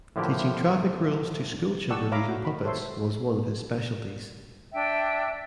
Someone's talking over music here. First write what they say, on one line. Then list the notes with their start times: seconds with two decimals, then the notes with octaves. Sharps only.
Teaching traffic rules to school children using puppets was one of his specialties.
0.16 A2 D3 F3 A#3 E4 G4
1.90 D5 F#5 G5 A5 C#6 E6
2.12 C#5 E5 F5 A#5 B5 D6
2.29 F#4
2.45 B5
2.64 A4 C5 C#5 E5 C6
4.73 D4 E5 G5